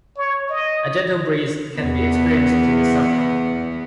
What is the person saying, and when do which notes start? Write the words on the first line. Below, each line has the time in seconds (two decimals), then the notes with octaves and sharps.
A gentle breeze can be experienced in the summer.
0.18 C#5
0.50 D#5
1.77 E2 B3